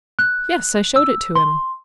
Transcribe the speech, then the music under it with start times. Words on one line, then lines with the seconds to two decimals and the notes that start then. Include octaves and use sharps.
"Yes; I showed it to him."
0.19 F#6
0.96 E6
1.35 C6